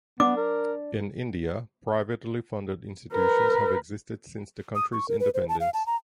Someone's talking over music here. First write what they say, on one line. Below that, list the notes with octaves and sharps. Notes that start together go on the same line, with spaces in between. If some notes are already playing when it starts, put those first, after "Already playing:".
In India, privately funded institutions have existed since the country's independence.
B3 D4 D6
A#4
A#4 B4
D#6
C#6
A#4
B4
C5
A5
F5
A5
A#5